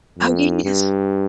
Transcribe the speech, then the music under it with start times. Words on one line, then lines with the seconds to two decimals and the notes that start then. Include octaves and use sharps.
Oh, yes.
0.19 F2
0.64 G2